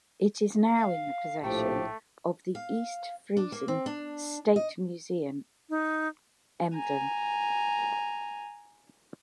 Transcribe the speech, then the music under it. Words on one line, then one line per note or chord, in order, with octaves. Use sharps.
It is now in the possession of the East Frisian State Museum Emden.
F5
A#1 A2 F3 A3 G4 G5
F5
D4
A#3
C4
D4
D#5
D#4
G#5 A#5